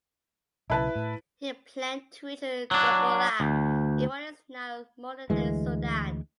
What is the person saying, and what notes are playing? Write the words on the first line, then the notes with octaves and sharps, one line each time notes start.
He planned to reach Dongola in what is now modern-day Sudan.
B1 C#3 E4 B4 A5
A2
F#3 D4
D2
D2 E3 G#3